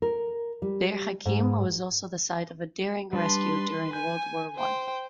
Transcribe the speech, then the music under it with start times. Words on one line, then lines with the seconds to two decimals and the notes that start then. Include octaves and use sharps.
Bir Hakeim was also the site of a daring rescue during World War One.
0.02 A#4
0.62 G3
1.26 G#2
3.13 G3 D4 B4 A5 C6
3.93 G#5 G6
4.56 C5 G5